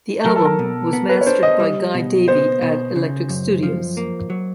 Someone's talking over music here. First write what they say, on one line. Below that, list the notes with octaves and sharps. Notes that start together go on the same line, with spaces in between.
The album was mastered by Guy Davie at Electric studios.
F#3 A#4
A4
A#4
B2
B3
B4
C#5
D4 C5
D#5
G3
B2
B3 C5
B2
C#3
F#2
F3
A#3
F#3